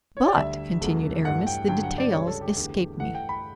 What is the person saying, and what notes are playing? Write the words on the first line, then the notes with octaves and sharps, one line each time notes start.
"But," continued Aramis, "the details escape me."
C#5
D5
D2 D3 G3 E5
E2 C#3 F#3 A3
G2 E3 A3 F#5
G5
G2 D3 F#3 A3 G5
F#5
D5
C#2 C#3 G3 C#5
A4
G4
E2 D3 A3
G2 E3 A3 F#5
G5
B5